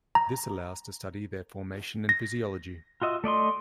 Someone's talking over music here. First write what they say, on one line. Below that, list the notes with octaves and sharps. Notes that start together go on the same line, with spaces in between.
This allows to study their formation and physiology.
A#5
A#6
F4 F#4 D#5 E5
A3 D5 D#5 C6